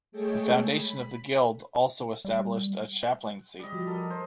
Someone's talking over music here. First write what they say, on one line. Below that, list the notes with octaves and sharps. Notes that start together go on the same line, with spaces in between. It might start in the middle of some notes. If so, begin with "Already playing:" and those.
The foundation of the guild also established a chaplaincy.
G#3 A3 G#4 A4 C#5 G5
B5
G3
G3 D#5
F3 F#4
A4 A#4 D#5
C5